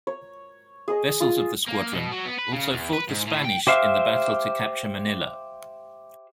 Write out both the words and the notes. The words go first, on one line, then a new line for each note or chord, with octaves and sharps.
Vessels of the squadron also fought the Spanish in the battle to capture Manila.
C#5
G#4 D#5
F4
A#3
B2
F#3
B3
B4
C#3
E2
B4
G#2
A2
G5
G4 C5 E5 F5